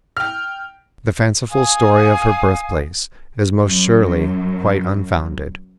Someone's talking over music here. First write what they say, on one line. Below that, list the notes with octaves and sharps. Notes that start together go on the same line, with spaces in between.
The fanciful story of her birthplace is most surely quite unfounded.
G5 F6
F5 G#5 D#6
F#2 F#3